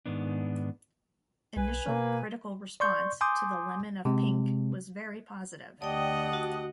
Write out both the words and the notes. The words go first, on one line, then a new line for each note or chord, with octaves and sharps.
Initial critical response to "The Lemon of Pink" was very positive.
G#2 D#3 B3 D4
B1 B4 G#5
B2 A#3
D5 C6 C#6 G6
G#5 C6 D6 D#6 G6
C3 G#3 C4
D2 G4 D5 D#5 F#5 G5 A5 D#6
F#4